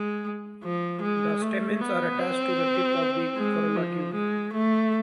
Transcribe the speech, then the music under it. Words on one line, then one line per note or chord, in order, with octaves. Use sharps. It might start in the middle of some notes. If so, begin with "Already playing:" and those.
The stamens are attached to the tip of the corolla tube.
Already playing: G#3
F3
G#3
A3
B3
C4
G#3
F3
G#3
A3